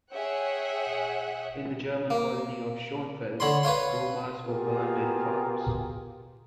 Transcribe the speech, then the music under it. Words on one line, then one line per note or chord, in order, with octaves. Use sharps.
In the German colony of Shonfeld, Romas were burned in farms.
G#4 C#5 E5 F#5 G5
A#3
D3 C#5 B5 C6
B4 C#5 F5 C6
B2 B3 F4 G4 G#4 A#4